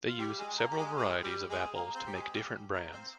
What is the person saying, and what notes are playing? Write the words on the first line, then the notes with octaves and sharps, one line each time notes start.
They use several varieties of apples to make different brands.
F4
G3 G4
G#3 G#4
A#3 A#4
G4
G#3 G#4
G#3 G#4
G3 G4
G#3 G#4
A#3 A#4
C4 C5
G4
G#3 G#4
G3 G4
A#3 A#4
C4 C5